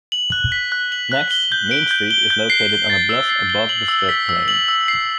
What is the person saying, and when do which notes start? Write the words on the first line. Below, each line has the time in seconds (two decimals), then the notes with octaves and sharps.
Next, Main Street is located on a bluff above the floodplain.
0.12 F#7
0.32 F#6
0.52 B6
0.72 F#6
0.92 F#7
1.12 F#6
1.31 G7
1.52 G6
1.71 D7
1.91 G6
2.11 G7
2.30 G6
2.50 C7
2.69 G7
2.90 A6
3.09 E6
3.29 C7
3.49 G7
3.69 F#7
3.88 E6
4.09 B6
4.29 E6
4.48 F#7
4.68 E6
4.88 C7